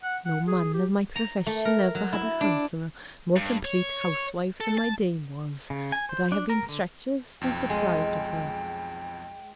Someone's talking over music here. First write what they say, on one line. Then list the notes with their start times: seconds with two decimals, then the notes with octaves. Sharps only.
No Man of my Profession ever had a handsomer, more compleat Housewife, than my Dame was; but I have been treacherously depriv'd of her.
0.03 F#5
0.25 F#5
0.47 G#4
0.73 G4
1.16 A#5
1.47 A3
1.65 A#4
1.95 F#3
2.13 E4
2.41 D4
3.36 G2
3.65 C#5
4.60 A4
4.78 A5
5.70 C#3
5.92 G#5
6.09 C5
6.32 D4
6.50 A#4
6.69 D3
7.41 B1 F2 G5
7.70 G#3